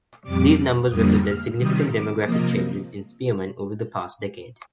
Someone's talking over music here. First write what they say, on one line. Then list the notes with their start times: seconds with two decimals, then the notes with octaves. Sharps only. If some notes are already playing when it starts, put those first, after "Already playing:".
These numbers represent significant demographic changes in Spearman over the past decade.
0.23 F2 C3 G3 D6
0.89 F2 D3 G3 A#3 D#6
1.24 F6
1.57 C3 D#3 G3 D#6
1.91 D6
2.24 C3 F3 A#3 D#5